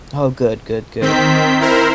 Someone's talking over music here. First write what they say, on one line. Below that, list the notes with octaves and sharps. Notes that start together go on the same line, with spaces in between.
Oh, good, good, good.
D#3 C4 G6 B6
E4 A#4 C5